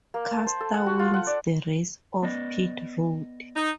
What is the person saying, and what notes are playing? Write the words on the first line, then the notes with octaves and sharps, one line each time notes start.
Custer wins the race off pit road.
A#3
A5
C5
A4
F#5
F#4
F4
F#5
D5
B3 D5 D#5
D#4